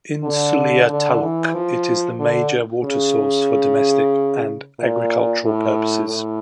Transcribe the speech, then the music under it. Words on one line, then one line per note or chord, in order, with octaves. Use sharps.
In Sullia taluk, it is the major water source for domestic and agricultural purposes.
D3
D3
E3
F3
D3
C#3
A#2
A2
A2